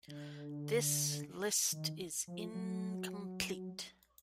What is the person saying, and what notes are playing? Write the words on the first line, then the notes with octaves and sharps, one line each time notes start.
This list is incomplete.
D3
D#3
F3
F#3